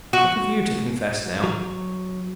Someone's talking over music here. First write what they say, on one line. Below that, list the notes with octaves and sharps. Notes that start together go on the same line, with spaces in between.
What have you to confess now?
F#4
F#3